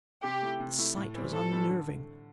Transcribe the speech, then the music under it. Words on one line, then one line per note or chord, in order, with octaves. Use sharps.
The sight was unnerving.
C3 G4
A3 E4
C3
A3 E4
A2
E3 G3 C4
A2 A4
E3 G3 C4
D3